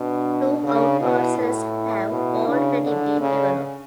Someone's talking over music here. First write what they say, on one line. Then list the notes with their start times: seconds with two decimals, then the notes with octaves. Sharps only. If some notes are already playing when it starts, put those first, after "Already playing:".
Two outparcels have already been developed.
Already playing: B2 D4
0.63 C#3
1.01 B2 E4
1.37 A2 E4
2.11 B2
2.47 C#3 D4
2.85 D3
3.21 C#3 C#4